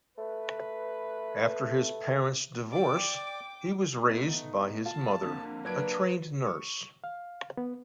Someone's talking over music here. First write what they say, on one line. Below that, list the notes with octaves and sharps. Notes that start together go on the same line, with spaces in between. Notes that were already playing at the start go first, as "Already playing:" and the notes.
After his parents' divorce, he was raised by his mother, a trained nurse.
A3 B4
D5 G5 D6
A3 B3 D#4
F4 A5
F2 D3 A#3
F#3 D4 B4 G#6 D7
C#6
F5
B3